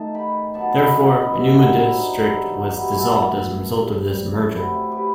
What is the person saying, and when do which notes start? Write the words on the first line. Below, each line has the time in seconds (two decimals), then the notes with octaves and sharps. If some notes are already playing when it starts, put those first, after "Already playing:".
Therefore, Enuma District was dissolved as a result of this merger.
Already playing: D#3 A3 D#5 A5
0.15 G5 B5
0.54 D#3 F#3 B3 F#5 A5
0.74 G5 B5
0.94 D#5 F#5
1.14 B4 D#5
1.34 G2 F#3 C4 E4 G4
1.54 D#4 F#4
1.74 E4
1.94 D#4
2.14 G2 E3 B3 E4
2.34 D#4
2.53 D#4 F#4
2.68 E4 F#4 G4
2.93 F#2 E3 A3 F#4 A4
3.72 A2 G3 C4
4.52 C3 F#3 A3 C4 E4 G4
4.92 G4 B4